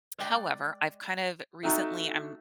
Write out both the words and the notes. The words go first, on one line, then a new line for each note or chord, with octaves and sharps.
however, I've, kind of, recently I'm
G#3 D5 G5
A3 C4 D#4 F#4